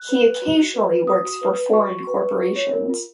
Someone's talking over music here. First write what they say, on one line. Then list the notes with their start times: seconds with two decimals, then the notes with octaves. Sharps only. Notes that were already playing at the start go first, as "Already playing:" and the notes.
He occasionally works for foreign corporations.
Already playing: F#6
0.09 B4
0.26 B4
0.42 F#4
0.58 F#4
0.74 B4
0.91 B4
1.07 F#4 D#6
1.24 F#4
1.41 B4
1.57 B4
1.73 F#4 C#6
1.90 F#4
2.07 B4
2.23 B4
2.39 F4
2.56 C#5
2.73 A#4
2.89 F4